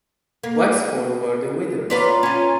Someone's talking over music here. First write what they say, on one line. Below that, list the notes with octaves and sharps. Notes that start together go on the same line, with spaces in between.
Wexford were the winners.
A#3
F4 B4 C#5 D5 A#5 C6
C#4 F4